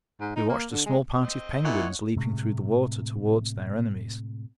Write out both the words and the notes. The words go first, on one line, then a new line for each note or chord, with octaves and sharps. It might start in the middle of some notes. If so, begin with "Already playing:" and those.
We watched a small party of penguins leaping through the water towards their enemies.
G#2
D#4
A#3
D3
G#3
C4 D#5
A#2 E4 C#5 F#5
A2 C3 G#3